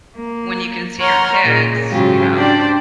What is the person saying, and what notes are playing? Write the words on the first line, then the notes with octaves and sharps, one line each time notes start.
when you can see your kids, you know?
A#3
C#5 F#5 A#5 C6 F6
A#2 C#3
G#2 C#3 F#3 F4 G4
D4 G4 C5 D5 G5